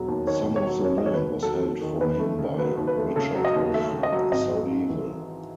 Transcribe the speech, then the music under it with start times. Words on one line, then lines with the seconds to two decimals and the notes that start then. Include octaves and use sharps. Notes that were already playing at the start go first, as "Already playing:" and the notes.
Some of the land was held for him by "Richard of Soudeval".
Already playing: E1 F#3
0.08 D#2
0.27 D#3 C#5
0.46 E1
0.56 C#5
0.66 F#3
0.85 D#2 C#5
0.98 D#5
1.04 D#3 C#5
1.14 B4
1.24 E1
1.43 F#3 A4
1.62 D#2
1.81 D#3
2.01 D#2 B4
2.19 A3
2.39 C#3
2.58 F#3 B4
2.77 D#2
2.87 B4
2.97 A3
3.16 C#3 A4
3.35 F#3
3.45 D#5
3.55 D#2
3.74 A3 E5
3.93 C#3
4.03 D#5
4.12 F#3
4.32 G#1 D#5
4.51 G#3
4.71 G#2
4.90 E3